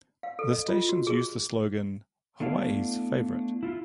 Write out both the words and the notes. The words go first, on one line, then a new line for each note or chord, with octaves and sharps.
The stations use the slogan, Hawaii's Favorite.
F5
A4
D#5
F4
F#4
G#4
A3 B3 D4 E4 F5
E4 F4